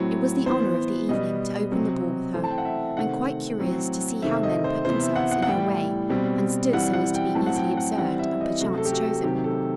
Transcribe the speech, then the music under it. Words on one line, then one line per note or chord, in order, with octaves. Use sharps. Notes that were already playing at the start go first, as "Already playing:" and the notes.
It was the honor of the evening to open the ball with her, and quite curious to see how men put themselves in her way and stood so as to be easily observed and perchance chosen.
Already playing: A2 F#3 C4
E3 B3 C5
B2 G3 B3 D#5
C3 F#3 C4
E3 A3 C4 C5
A5
G5
F#5
E5
C3 D#3 A3 C4 F#5
A2 F#3 C4
C3 D#3 A3 C4 E5
D#5
C5
C3 E3 B3 C5
E5
F#5
F#5
F#5
A2 E3 G3 G5
B2 G3 C4
E3 G3 C4 F#5
F#5
G5
A2 F#3 C4 A5
F#5
G5
F#5
G5
E3 G3 C4 F#5
E5
D#5
C3 F#3 A3 F#4
A4
G4
F#4
C3 D#3 F#3 A3 C4 G4
A4